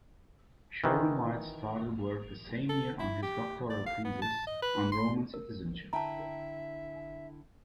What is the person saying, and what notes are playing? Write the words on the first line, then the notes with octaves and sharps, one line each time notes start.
Sherwin-White started work the same year on his doctoral thesis, on Roman citizenship.
D#3 E3
A4
E4
G4
D5
F5
B3
A5
D#5
B4
C6
A#4
D3 E4 E5 G5 A5 A#5